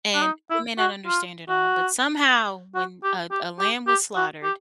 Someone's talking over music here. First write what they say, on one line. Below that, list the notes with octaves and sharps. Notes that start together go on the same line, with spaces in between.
And, you may not understand it all, but somehow when a a lamb was slaughtered,
D4
D#4
E4
F#4
F4
F#4
F#4
G4
G4
G4
G4
F#4
G4